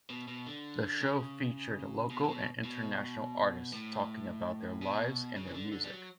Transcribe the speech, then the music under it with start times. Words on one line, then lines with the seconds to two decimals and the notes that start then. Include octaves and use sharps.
The show featured local and international artists talking about their lives and their music.
0.10 B2
0.28 B2
0.47 D3
1.01 C#3
2.10 B2
2.24 C#3
2.28 B2
2.65 B2
3.73 A2
4.82 B2
5.36 C#3
5.47 E3
5.54 D3
5.72 D3
5.84 G3
5.91 F#3